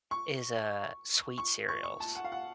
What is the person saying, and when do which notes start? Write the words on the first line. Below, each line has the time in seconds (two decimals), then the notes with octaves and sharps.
is, uh, sweet cereals.
0.11 C#6
1.38 C#6
1.69 C#6
1.84 C#6
2.00 A5
2.15 F#5
2.24 F5
2.32 F#5